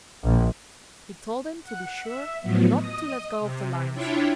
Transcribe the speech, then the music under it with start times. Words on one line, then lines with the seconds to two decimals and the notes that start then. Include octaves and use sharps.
He told him to be sure not to let go of the lines.
0.25 A#1
1.63 F#5
2.02 E5
2.42 A2 F3 F#3 B3
2.79 D#5 D#6
3.40 C3
3.94 D4 E4 F4 C#5 E5 G5